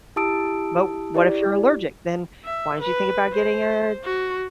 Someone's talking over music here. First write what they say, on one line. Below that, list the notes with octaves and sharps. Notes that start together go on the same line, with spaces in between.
but what if you're allergic, then why don't you think about getting a
E4 G4 A5 D#6 E6 D7
E4 G4 D5
E5
B4
C5
F#4